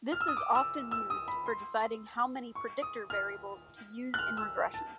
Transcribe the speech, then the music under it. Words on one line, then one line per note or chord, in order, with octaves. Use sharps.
This is often used for deciding how many predictor variables to use in regression.
F6
E6
D#6
D6
E6
E6
D#6
B5
C6
C#6
D#6
F6
F#6
F6
E6
A5